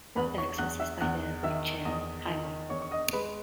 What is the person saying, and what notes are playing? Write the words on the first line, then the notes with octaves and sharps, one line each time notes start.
Road access is by the Riccheri Highway.
E2 B4 B5
C#5 C#6
E2 F#5 F#6
E5 E6
E2 F#5 F#6
D#3 E5 E6
E2 D#5 D#6
D#3
E2 C#5 C#6
C#6
D#5 D#6
G#3 B4 B5